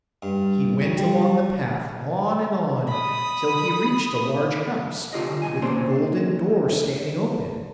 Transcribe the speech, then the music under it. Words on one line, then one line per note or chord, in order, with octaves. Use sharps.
He went along the path, on and on, till he reached a large house, with a golden door standing open.
G2
D2
G3
B5 D#6
D3 F4 G4 D#5
B1 B2 G#5
A#3 C#4 D4 C5 C6